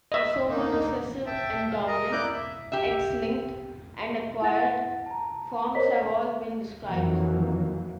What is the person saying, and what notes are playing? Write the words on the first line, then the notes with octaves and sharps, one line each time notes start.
Autosomal recessive and dominant, X-linked, and acquired forms have all been described.
D#5 E5
D3 A#3 D#4
E5 G5 A5
F5 A5
A#4 D#5 A#5
A#3 E4 D5 D6 F#6 G6
E5
G4 E5
E4 F#5 A6 A#6
A5 A#5
A#4 C5 C#5 D#5 B6
F2 D#3 E3 F#3 A#3